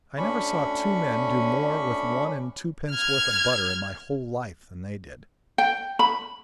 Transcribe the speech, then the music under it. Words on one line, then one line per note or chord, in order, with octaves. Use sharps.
I never saw two men do more with one-and-twopence worth of butter in my whole life than they did.
D2 C#4 D4 B5 C#6
F6 G#6
G5
B5